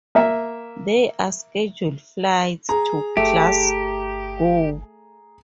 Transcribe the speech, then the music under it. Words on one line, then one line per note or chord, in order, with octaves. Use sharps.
There are scheduled flights to Glasgow.
A#3 E5
G#4 A#5
G1 A3 G4